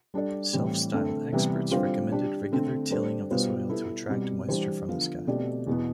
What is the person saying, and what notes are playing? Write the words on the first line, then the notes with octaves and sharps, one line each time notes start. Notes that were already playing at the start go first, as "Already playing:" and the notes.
Self-styled experts recommended regular tilling of the soil to "attract" moisture from the sky.
G3 D4 A4 D5
A2 E3 G3 C4
D3 A3 C4
C3 E3 G3 B3 E4
D3 G3 C4 F4 C5
G3 D4 G4
D3 A3 C4
G3 D4 A4 C5
B2 G3 B3 F4 C5
G3 B3 E4 A4
B2 G3 C4
E3 G3 D4 G4 C5
D3 F3 B3 F4
B2 A3 C4 G4 D5
E2 B2 B3